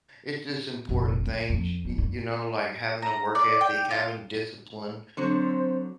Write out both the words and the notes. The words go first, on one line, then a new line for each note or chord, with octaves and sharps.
it's just important things, y y you know, like having a work ethic, having discipline,
F1 A#1
D2
F2
G3
G2
A#5
D5
G5
F4
D3 F#3 C4 D4 C5